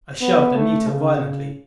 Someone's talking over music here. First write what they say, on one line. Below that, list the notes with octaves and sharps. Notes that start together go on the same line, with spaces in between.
I shoved Anita violently.
B3
A3
C#3